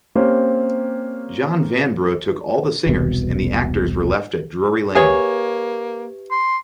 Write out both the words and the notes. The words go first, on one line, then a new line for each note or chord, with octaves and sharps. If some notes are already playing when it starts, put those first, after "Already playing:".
John Vanbrugh took all the singers and the actors were left at Drury Lane.
A#3 C4 C#4 G4 C5
E1 C2 B2
A#3 G4 G#4 B4 C#5 E5
C6